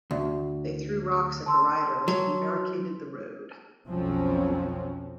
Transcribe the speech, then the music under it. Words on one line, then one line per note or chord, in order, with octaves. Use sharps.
They threw rocks at the riders, and barricaded the road.
D2
A5 C6 E6
F#3
B1 F2 F3 F#3 C4 C#4